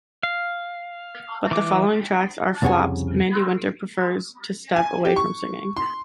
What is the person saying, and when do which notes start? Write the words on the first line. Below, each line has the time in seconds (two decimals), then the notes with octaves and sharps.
But the following tracks are flops, Mandy Winter prefers to step away from singing.
0.23 F5
1.51 E3 D6
2.62 C2 F2 C#3 C#5 F#5 G#5
4.76 G#5
5.05 G4
5.16 C#6
5.77 C6